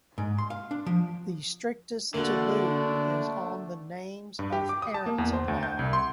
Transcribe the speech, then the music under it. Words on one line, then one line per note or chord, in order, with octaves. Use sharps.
The strictest taboo is on the names of parents-in-law.
G#2
C6
F5
D4
F3
D3 A3 A#3 D4 F#4
G2
G4
D6
D#6
A5
A#3
E2
C5
D2
G6
C2
C6